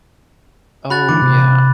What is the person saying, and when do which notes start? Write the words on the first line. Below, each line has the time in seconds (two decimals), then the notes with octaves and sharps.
Oh yeah.
0.90 F#4 B5 F#6 A6
1.09 D3 E3 D6
1.22 C3